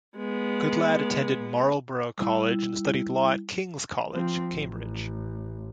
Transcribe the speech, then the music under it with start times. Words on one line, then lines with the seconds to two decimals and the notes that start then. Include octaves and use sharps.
Goodlad attended Marlborough College and studied law at King's College, Cambridge.
0.17 G#3 B3
2.18 G3 E4
4.13 F3 C4
4.52 A1